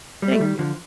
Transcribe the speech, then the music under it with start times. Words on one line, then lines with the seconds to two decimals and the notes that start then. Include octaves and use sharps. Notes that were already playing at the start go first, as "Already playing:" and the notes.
Thank you.
0.22 G3
0.32 A3
0.40 D#3 G3
0.59 D3 F3